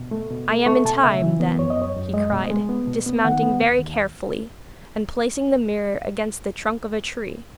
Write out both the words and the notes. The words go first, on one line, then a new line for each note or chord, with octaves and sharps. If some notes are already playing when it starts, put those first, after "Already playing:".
'I am in time, then,' he cried, dismounting very carefully, and placing the mirror against the trunk of a tree.
Already playing: B2
A3
B2
A3
A3 C#6
B2 A5
C#3 E5
E3
B3
F#2 C#5
D#5
F#2 C#5
F#2
G#3 D#5
B2
G#3
B3
B2
B3
D#3 F#5
B3
D#2
D#2